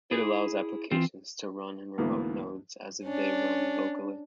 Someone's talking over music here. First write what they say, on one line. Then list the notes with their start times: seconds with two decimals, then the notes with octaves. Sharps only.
It allows applications to run in remote nodes as if they run locally.
0.11 E4 G#4
0.91 E3 C4 F4
1.98 D2 G#2 E3 A#3 B3
3.05 C#4 D4